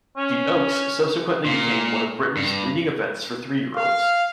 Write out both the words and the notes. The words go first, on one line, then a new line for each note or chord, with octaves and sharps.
The Oaks subsequently became one of Britain's leading events for three-year-olds.
C#4
A#2
G2
F5